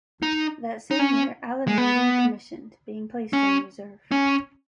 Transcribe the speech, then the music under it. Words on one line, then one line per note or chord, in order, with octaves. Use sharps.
That same year, "Alamein" decommissioned, being placed in Reserve.
D#4
D#4
C#4
G#3
B3
C#4
C#4